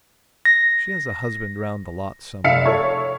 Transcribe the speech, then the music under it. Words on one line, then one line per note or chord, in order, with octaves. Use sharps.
She has a husband round the lot somewhere.
A#6
F1 E5 F5 C#7
A4 C#5